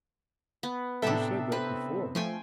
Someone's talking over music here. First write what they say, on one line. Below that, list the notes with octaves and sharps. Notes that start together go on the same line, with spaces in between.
"You said that before."
B3
A2 C3 B3 D4 A4 E5 G5
C4 B4
F3 A3 G5 G#5 C6